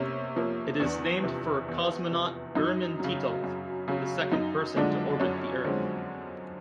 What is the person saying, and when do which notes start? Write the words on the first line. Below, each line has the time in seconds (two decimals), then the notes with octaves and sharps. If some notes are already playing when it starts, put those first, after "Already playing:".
It is named for cosmonaut Gherman Titov, the second person to orbit the Earth.
Already playing: C3 A#3 C#4
0.36 F3 A#3
0.80 E2 D4
1.24 C3 F3
1.68 E2
2.11 C3 F3
2.55 F#2 D#4
3.00 C#3 F#3
3.44 F#2
3.88 C#3 F#3
4.32 F#2 D#4
4.76 D3 F3 G#3 D4
5.20 F#2 C#4
5.65 D3 F3 G#3 C4